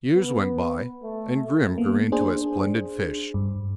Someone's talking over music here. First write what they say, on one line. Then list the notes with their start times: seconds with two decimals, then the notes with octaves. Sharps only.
Years went by; and Grim grew into a splendid fish.
0.15 B3
1.03 A3
1.78 A#3 B3
2.12 D4 G#4 C5
3.34 G2